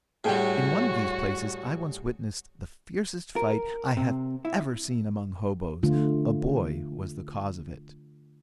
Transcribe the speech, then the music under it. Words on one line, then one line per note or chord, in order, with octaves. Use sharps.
In one of these places I once witnessed the fiercest fight I have ever seen among hoboes; a boy was the cause of it.
A2 G3 F#4 G#4 C#5 F#5 G5
A#4
C3
E4
D3 A3 F4